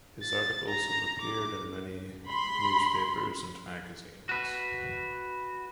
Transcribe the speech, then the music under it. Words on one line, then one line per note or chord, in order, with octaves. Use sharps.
His articles have appeared in many newspapers and magazines.
A6
A#5
D6
B5 C6
F#4 B4